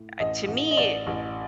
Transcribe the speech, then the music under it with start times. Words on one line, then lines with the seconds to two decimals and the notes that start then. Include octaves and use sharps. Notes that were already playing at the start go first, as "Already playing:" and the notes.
uh, to me,
Already playing: A2
0.20 A1 D#5
0.48 A1
0.71 D#5
0.77 A1 D5
1.07 A1